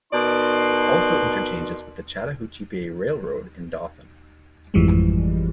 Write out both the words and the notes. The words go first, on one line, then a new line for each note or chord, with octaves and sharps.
It also interchanges with the Chattahoochee Bay Railroad in Dothan.
B2 D#4 A#4 D5 C6
G#1 F2 E3 F3 G3 G#3